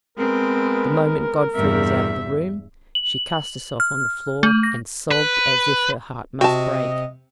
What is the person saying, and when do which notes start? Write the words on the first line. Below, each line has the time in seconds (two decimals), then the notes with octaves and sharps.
The moment Godfrey was out of the room she cast herself on the floor, and sobbed as if her heart must break.
0.18 G#3 B3 C4 A#4
1.55 E2 G2 E5
2.95 F#7
3.80 F6
4.43 A3
4.63 A#6
5.11 B4
6.41 C3 F#4 D#5 G5 A5